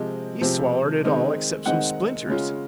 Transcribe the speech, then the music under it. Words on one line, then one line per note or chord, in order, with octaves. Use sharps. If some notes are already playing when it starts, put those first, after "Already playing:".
He's swallered it all except some splinters.
Already playing: C3 F3 G#3 C4 D#5
C3 F3 G#3 C4
D#3 G#3 C4 D#4
D#3 G#3 C4 D#4 F#5
C#3 G#3 C#4 F4